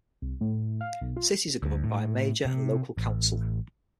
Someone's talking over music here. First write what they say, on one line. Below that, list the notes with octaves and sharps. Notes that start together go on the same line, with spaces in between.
Cities are governed by a mayor and local council.
C2
A2
F5
B1
F4
D2
A2
C3
A1